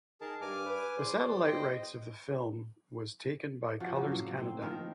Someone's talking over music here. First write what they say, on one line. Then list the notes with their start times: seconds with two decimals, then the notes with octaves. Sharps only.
The satellite rights of the film was taken by Colors Kannada.
0.21 D#3 G#4 A#4 A5
0.41 G2 G#5 D6 F6
0.66 B4
0.97 E2 C5 D5
1.43 C5 D#5 G5
3.80 F3 F#4
3.96 A#2 C#3 F#3 A#3
4.08 A2 A#3
4.37 C4
4.62 D#3 F3 A#4